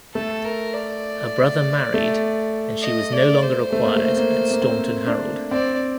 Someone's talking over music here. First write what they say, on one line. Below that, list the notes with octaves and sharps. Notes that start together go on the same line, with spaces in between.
Her brother married and she was no longer required at Staunton Harold.
A3 A4
A#4
D5
A3
D#5
D5
C5
A3
A#3
A3
A#3
A#3
C4
D4
C4 D5